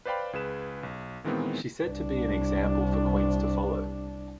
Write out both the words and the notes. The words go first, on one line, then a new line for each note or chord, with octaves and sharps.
She said to be an example for queens to follow.
B4 C5 D5 F5 G5 B5
C#2 G#4 B4 E7
B1
A#2 D#3 E3 G#3 B3 C4
C2 D4